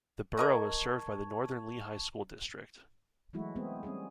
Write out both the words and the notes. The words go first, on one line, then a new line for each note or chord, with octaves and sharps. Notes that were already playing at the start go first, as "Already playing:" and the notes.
The Borough is served by the Northern Lehigh School District.
A#4 D#5 A5 A#5 C#6 G#6
E3 F#3 G#3 A3 E4 F#4
G#3 A3 B3 C4 G#4
G3 C4 C#4 G#4